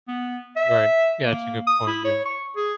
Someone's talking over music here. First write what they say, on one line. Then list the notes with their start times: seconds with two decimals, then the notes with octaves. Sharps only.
Right. Yeah, that's a good point, yeah.
0.08 B3
0.56 E5
1.24 A#3
1.67 D#6
1.87 E4
2.05 C#5
2.26 C#6
2.57 G#4